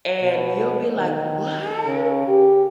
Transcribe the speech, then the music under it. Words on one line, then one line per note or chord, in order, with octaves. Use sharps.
And you'll be like, "What?"
B2
D#3
C#3
G4